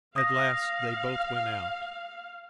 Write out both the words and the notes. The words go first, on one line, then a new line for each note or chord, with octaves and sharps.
At last they both went out.
F5 D#6 A#6